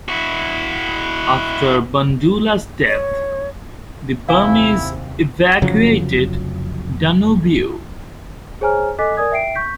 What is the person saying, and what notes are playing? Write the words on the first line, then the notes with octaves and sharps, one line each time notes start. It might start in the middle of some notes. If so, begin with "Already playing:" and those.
After Bandula's death, the Burmese evacuated Danubyu.
E4 F#4
C#5
D#2 C3 E4 F5 G#5 C#6
F1 C#3 F3 F#3
G#4 C5 C#5 G#5 A#5 F6
A4 D#5 G#5 D6 F#6 B6
A#4 D5 G#5 D#6 G#6
E5 G5 C7 D7
C#6 G6 B6